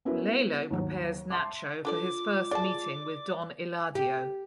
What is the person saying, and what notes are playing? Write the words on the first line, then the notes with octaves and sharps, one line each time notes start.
Lalo prepares Nacho for his first meeting with Don Eladio.
B3 C#4 E4 F#4 A#4 B4
D#2 F#3
E5 A5 C6 D6
D4 F4 A4 D5 D6
G#3 D5 A5
G4